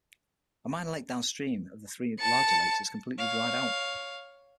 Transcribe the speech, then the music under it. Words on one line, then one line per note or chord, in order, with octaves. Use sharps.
A minor lake downstream of the three larger lakes has completely dried out.
A5 C#7
C#5 F5